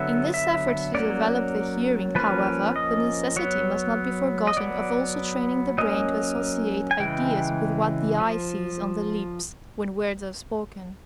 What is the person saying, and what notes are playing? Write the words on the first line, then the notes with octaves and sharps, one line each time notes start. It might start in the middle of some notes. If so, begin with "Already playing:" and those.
In this effort to develop the hearing, however, the necessity must not be forgotten of also training the brain to associate ideas with what the eye sees on the lips when words are spoken.
Already playing: D3 F#3 B3 E5
E5
F#3 A#3 C#4 D5
F3 A#3 C#4 B4
D#5
F#3 B3 C#5
D#5
F#3 B3 D5
F#3 A#3 C#4 D#5
G#5
C#3 E3 G#3 G5
F3